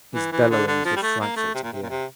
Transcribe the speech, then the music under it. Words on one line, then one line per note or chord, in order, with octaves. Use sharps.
His bellowings were frightful to hear.
E3
E3
D3
D3
F3
G3
A3
A#3
A3
C3
A#2
C3
A#2
C3